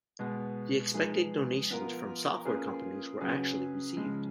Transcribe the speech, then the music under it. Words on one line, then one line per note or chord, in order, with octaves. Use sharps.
The expected donations from software companies were actually received.
B2 G#3 B3
F3 G#3 D#4 G#4 B4
F3 B3 F4 A#4
A#3 C#4 F4 G#4 B4
C#3 F#3 C#4 G#4 B4
C#3 F3 G#3